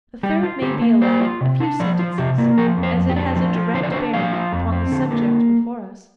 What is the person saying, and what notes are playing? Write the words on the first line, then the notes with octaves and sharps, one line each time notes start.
The third may be allowed a few sentences as it has a direct bearing upon the subject before us.
G3 G4
F4
D3 G4
A#3
A#3 C5
F4
C3
D4
F3 D5
F4
C3 G4
A#3
F3 A#4
F2
C5
F2
G4
D4
F3
F4
D3 C5
D5
D4 C5
F3 F5
F4
F2
C4
D3
A#3